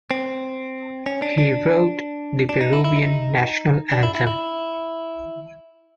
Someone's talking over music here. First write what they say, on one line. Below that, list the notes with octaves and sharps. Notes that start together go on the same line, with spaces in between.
He wrote the Peruvian national anthem.
C4
C#4
D4
D4
D4
D#4
E4
E4
D#4
D4
E4
E4
E4